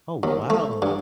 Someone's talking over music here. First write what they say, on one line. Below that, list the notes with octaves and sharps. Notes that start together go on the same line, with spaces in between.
Oh, wow.
D#2
A3
G2